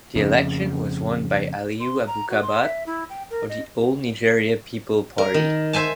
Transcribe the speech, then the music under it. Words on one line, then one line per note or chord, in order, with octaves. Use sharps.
The election was won by Aliyu Abubakar of the All Nigeria Peoples Party.
F2 C#3
C6
A#5
F#4
C6
E5
E4
G5
A#4
D#5
A#4
D#3
C5 E5 G#5 A5